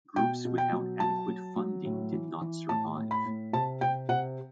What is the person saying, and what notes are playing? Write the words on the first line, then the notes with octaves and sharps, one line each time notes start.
Groups without adequate funding did not survive.
B2 G5
B2
G5
F#3
F#3 A5
F#3
F#3
A2
E3
E3
A2 A5
A2
B5
A2
C3 A5
C3 G5
C3 F#5